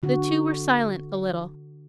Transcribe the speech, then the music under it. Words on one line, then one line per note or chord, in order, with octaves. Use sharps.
The two were silent a little.
D3 F#4